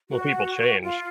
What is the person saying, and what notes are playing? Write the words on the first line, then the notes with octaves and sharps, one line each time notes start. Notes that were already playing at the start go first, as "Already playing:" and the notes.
Well, people change.
F#4
F4